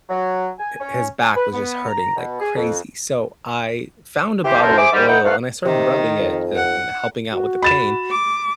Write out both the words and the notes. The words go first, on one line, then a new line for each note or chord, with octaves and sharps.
hi his back was just hurting like crazy. So I found a bottle of oil, and I started rubbing it, eh and helping out with the pain,
F#3
G#5
C#4
G#5
B4
B3
A#5
B2
G#4
F2
E3 G4 C5
F#2 A3 A4 A#4 C5
G#4 C5 E5 D6
G#2 G3
D#4 E4 B4 F#5 G5
E2 G#2 A3 F5 F#5
C3 D#3
F2
F#5
F#4
B5 A6 E7
D6